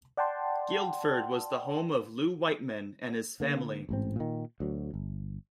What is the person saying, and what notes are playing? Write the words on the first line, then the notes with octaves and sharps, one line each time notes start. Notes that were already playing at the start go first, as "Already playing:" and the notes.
Guildford was the home of Lew Whiteman and his family.
D5 F#5 G5 A5 C6
D3 A#3
A1 G#2 C4
A#2 D#3
D2 F#3
G1